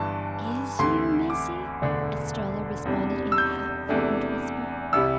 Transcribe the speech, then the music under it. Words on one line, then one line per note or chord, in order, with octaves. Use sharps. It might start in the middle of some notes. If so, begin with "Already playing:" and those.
"Is you, Missy?" Estralla responded in a half-frightened whisper.
Already playing: G1 G2 E3 A5
D2 C3 E3 A3 C6
D6
E1 D2 D3 A3 D4
E2 C3 G3 D4
E6
G6
E2 C3 E3 A3 D4
C2 C3 G3 E6